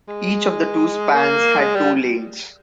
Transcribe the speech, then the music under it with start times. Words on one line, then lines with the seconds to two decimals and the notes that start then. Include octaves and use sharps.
Each of the two spans had two lanes.
0.08 G#3
1.14 A#3
1.59 G#3
1.75 G3